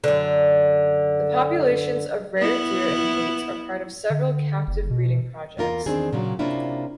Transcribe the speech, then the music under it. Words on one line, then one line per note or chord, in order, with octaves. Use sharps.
The populations of rare deer and pigs are part of several captive breeding projects.
F#2 D3
B3 E4
D3
F#1
B2
E2 A#3 F4 A#4
E2 D#3 C4 D4 G#4
A#2 C#3 F#3
C3 A#3 C#4 D4 E4 F4